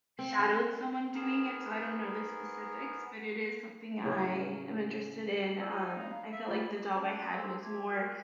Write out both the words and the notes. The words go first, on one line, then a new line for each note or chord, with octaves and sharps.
shadowed someone doing it, so I don't know the specifics, but it is something I am interested in. Um, I feel like the job I had was more
C4
E5
G#2 B3 G#4 A#4
A2 C#3 C#4 F#4
F4 F#4 D5 E6
D#4 G4 C#5
F5 B5
E5
G3 A3 F4 G#4 C#5 F6 A6
C#4 F#4 A5
G#4 A4 C5 E6
E5 A5 D6 G#6
F#4 A#4 F6 F#6